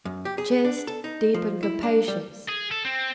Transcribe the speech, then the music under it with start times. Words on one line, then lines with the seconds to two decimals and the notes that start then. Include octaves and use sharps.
CHEST--Deep and capacious.
0.05 F#2
0.25 G4
0.38 G#4
0.65 D4
0.87 A4
1.04 D#4
1.34 F3
1.63 E4
1.83 D4
2.08 G3
2.49 G#4
2.71 A4
2.85 C4